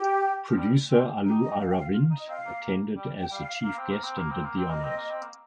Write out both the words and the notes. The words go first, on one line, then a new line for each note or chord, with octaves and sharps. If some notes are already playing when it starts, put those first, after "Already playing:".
Producer Allu Aravind attended as the chief guest and did the honours.
Already playing: G4
F3
G3
C4
D#4 G4
D#5
F5
G5
F5
F4
D#4
D#5
C4 F5
A#3
A#3
G3
G5
G3 F5
A#3
C4
A#3
C4
A#3
C4
A#3
C4
A#3 D#5
C4
A#3
C4
A#3